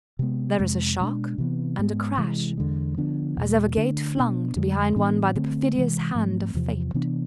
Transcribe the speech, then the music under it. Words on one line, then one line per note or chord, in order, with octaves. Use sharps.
There is a shock and a crash, as of a gate flung to behind one by the perfidious hand of fate.
C3 G#3 B3
F2 C3 G#3
B2 G#3 B3 D4
C3 E3 B3
G#2 G#3 B3
C3 E3 G#3
E2 D3 G#3
D3 F3 B3 D4
E2 B2 G#3
D3 A3 D4
B2 B3 D4
F2 D3 G#3
A2 E3 B3 D4
D3 A3 C4
C3 E3 G#3
G#2 F3 A3 C4
E2 C3 F3
C3 E3 B3 D4